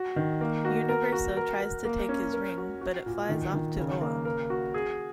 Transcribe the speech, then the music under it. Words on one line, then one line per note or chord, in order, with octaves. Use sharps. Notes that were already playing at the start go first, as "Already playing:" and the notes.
Universo tries to take his ring, but it flies off to Oa.
Already playing: F#4
D#3
A#3
F#4
A#4
F#4
A#4
A#4
A#3
C#4
A#4
F#4
F#4
A#2
D#3
D#3
C#3
A#3
A#4
F#4
G#4